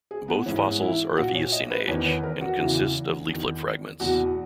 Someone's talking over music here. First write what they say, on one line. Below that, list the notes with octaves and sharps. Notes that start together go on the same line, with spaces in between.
Both fossils are of Eocene age, and consist of leaflet fragments.
G#4
B3
G#2 E3 C#4
E4
A#2 F#4
C#5
D#5
B4
E2 D#3 C#5
B4
A#4
F#4
E2 C#3 E3
E2 D#3
E2 B2 F#4